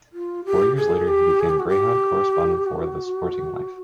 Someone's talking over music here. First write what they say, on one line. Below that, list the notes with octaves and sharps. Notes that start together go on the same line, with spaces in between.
Four years later he became greyhound correspondent for the "Sporting Life".
F4
G4
G#4
G4
G#4
G4
F#4
G4
F#4